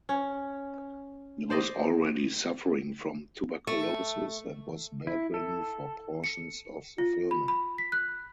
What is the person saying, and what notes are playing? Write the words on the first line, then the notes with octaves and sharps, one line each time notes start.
He was already suffering from tuberculosis and was bedridden for portions of the filming.
C#4
C5 D5 D#5
A3
E4
A4
C#7
F4
B5
B5
B6
F#6